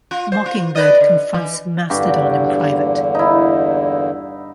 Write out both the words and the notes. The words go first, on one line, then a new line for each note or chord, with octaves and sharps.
Mockingbird confronts Mastodon in private.
F4
C5
F4
B4 D5 D#5
D3
E3
E2 G2 D3 A#3 F#4 G5
D#4 E4